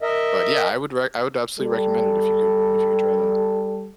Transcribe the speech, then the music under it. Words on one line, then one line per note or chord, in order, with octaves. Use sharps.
But, yeah, I would rec I would absolutely recommend it if you could if you could try that.
A#4 D#5 E5
G3 A4